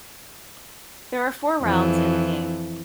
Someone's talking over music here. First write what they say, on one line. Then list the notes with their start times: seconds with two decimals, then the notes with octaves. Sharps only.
There are four rounds in the game.
1.62 F2 E3